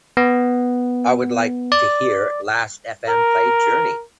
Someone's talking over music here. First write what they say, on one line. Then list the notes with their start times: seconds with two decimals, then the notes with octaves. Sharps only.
I would like to hear lastfm play journey.
0.17 B3
1.72 D5
3.09 A#4